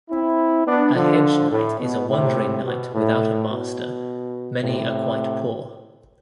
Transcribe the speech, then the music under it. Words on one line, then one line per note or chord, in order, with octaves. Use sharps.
A Hedge Knight is a wandering knight without a master, many are quite poor.
C4 E4
B3 D4
D3 F3
A2
B2
A2 C3
B2
A2
B2
A2 C3